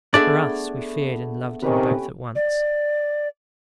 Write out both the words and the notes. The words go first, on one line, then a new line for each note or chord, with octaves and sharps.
For us, we feared and loved him both at once.
A3 B3 D4 G#4 D5 E5
C3 D#3 C#4 G4 B4
D5